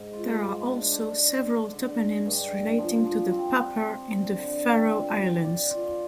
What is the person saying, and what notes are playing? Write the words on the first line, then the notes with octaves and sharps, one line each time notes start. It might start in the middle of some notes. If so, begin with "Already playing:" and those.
There are also several toponyms relating to the Papar in the Faroe Islands.
Already playing: G#2
F4
G#2
D4
D4
D4
D4
D3
G#3
G2
G2
F3
F3
C4
C4
C4
D3
D3
C4
F4
D5
D5
F4